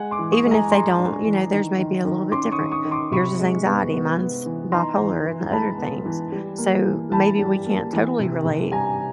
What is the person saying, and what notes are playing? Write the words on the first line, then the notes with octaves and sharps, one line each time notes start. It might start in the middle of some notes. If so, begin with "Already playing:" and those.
Even if they don't, you know, theirs may be a little bit different. Yours is anxiety, mine's bipolar, and other things, so maybe we can't totally relate
Already playing: G#3 F#5 G#5
C6 D6
E3
C#6 D#6
G#3
G#5 A#5
G#3 A#5 C6
D4
E3
D#3
D#3
D#3
C#4 C6 D6
C#6 D#6
D#3
C#6 D#6
D#3
C6 D6
C3 B5 C#6
G#3
B3
B3
B3
E3
D#4 A#5 C6
E3
E3
G#3 A5 B5
B3
E3
G3
A#3
E3
E3 A5 B5
G3
A#3
E3
C3
C3
G3 G#5 A#5